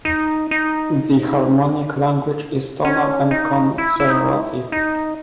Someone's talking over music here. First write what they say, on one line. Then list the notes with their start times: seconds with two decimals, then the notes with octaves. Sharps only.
The harmonic language is tonal and conservative.
0.05 D#4
0.51 D#4
2.85 C#4
3.23 D4
3.31 D#4
3.78 E4
4.00 E4
4.10 D#4
4.40 E4
4.72 D#4